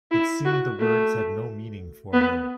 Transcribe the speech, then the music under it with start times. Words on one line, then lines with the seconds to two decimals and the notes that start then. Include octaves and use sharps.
It seemed the words had no meaning for her.
0.11 E4
0.45 F#4
0.79 A3
2.13 B3